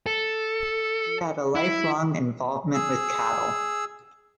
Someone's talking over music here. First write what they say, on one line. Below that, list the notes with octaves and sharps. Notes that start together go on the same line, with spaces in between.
He had a lifelong involvement with cattle.
A4
E4
G#4 E6